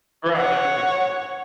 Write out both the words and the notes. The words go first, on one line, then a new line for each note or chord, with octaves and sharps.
Right, yeah, it'll be fun.
C#5 F#5